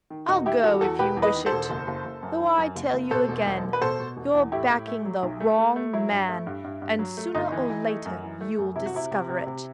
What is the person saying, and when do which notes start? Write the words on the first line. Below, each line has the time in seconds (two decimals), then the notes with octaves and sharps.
I'll go if you wish it; though I tell you again, you're backing the wrong man, and soonah or latah you'll discover it.
0.10 D#3
0.28 E1 D#4 F#4
0.46 D#3 E4 G4
0.64 E2 F#4 A4
0.81 E2 F#4 A4
0.99 E1 G4 B4
1.17 E2
1.22 B4 D#5
1.35 D#3
1.46 A4 C5
1.52 E1
1.70 F#1
1.87 F#1
2.05 F#1
2.23 F#2
2.40 D#3
2.58 F#2
2.76 F#1
2.93 F#1
3.11 B2 A4 C5
3.29 E1
3.46 E1
3.64 E1
3.73 B4
3.82 B2 A4 C5
4.00 B2
4.17 E1
4.35 E2
4.52 A2 E4 G4
4.70 A2
4.88 A3
5.05 F#3
5.23 B1
5.40 A3
5.58 A3
5.76 A3
5.93 F#3 E4
6.11 G2
6.29 A3
6.47 G2
6.64 G2
6.82 G2
6.99 F#3
7.17 A3
7.35 G1 D#4
7.52 E3
7.70 E3
7.88 A3
8.06 F#2
8.23 E3
8.41 A3
8.58 F#2
8.76 C3 E4
8.86 F#4
8.94 C3 E4
9.11 C3
9.29 C3
9.47 C3